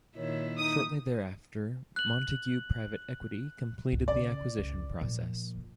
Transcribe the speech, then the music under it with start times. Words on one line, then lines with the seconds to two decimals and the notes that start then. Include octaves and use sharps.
Shortly thereafter, Montague Private Equity completed the acquisition process.
0.17 A#2 D#3 E4 C#5
0.58 D#4 D#6
1.96 F#6 F#7
3.93 C#2 G#2
4.08 C#3 D5
4.59 C#2
5.01 A#2 F3